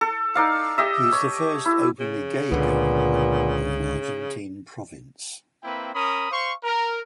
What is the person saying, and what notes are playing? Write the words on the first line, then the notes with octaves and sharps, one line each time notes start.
He is the first openly gay governor of an Argentine province.
A4
D#4 D5 F5
G4 D#5 E5
C#5
E4
C#3
C#2 A#2 D3 B3
A#3 C4 E4 B4 G5
C#4 A#4 B5 D#6
C5 F5 C6 C#6
A#4